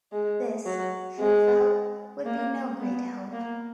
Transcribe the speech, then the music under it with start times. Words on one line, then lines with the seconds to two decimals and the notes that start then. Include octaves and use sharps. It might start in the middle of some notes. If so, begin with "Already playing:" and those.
This, Drew felt, would be no great help.
0.12 G#3
0.66 F#3
1.20 G#3
2.26 A#3
2.79 B3
3.33 A#3